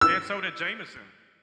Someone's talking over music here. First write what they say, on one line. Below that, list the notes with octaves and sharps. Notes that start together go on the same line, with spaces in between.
and so did Jameson.
E6